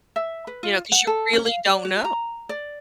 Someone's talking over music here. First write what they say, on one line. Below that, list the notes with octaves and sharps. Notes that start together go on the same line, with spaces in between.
You know, 'cause you really don't know.
E5
B4
F4
F#5
A4
C#4
F5
D5
F#4
A#5
D5